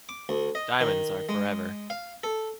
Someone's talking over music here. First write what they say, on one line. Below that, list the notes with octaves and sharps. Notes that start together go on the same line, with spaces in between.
Diamonds are forever.
D6
D2
D#5
D#3
G#3
F5
A4